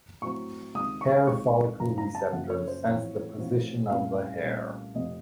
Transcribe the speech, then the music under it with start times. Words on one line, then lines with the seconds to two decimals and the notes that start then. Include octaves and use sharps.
Hair follicle receptors sense the position of the hair.
0.21 A2 F#3 C4 C#6
0.74 C#2 C3 D#3 D#6
1.01 C#6
1.27 C#2 C3 D#3 C#6
1.80 F#1 F#2 F3 A#5
1.98 A#5
2.15 A5
2.32 F#1 F#2 F3 F#5
2.50 C#5
2.68 C5
2.84 A1 A2 F3 C4 C#5
3.38 A1 A2 F3 C4
3.90 C2 A#2 A3 C#4 F5
4.43 C2 A#2 A3 C#4
4.95 F1 F2 C3 D#5